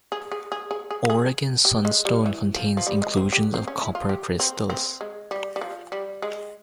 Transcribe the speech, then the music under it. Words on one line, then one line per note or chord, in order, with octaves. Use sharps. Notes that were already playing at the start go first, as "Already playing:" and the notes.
Oregon sunstone contains inclusions of copper crystals.
G#4
G#4
G#4
G#4
G#4
G#4
G4
G#3
G3
E3
F3
F3
G3
G#3
C4
G4
C4
C#4
E4
F4
G4
C4
C4
G#3
G3
G3
F3
G3
G#3